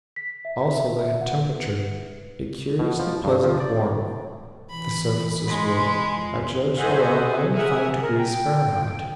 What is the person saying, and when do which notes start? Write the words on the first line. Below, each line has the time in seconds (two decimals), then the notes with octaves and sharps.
Also they had temperature, a curiously pleasant warmth--the surfaces were, I judged, around ninety-five degrees Fahrenheit.
0.16 B6
0.45 E5
0.76 E5
1.21 F#5
1.50 B4
2.79 B2
2.99 F3
3.24 G2
3.43 F3
3.60 D5
4.70 B2 E3 B5
5.47 G#3 B5 C6
6.10 F2 F3
6.77 A4 C5 D#5 E5 F#5 G#5
7.54 G#4 A#4 E5 F#5 G#5
8.01 A#4
8.17 G5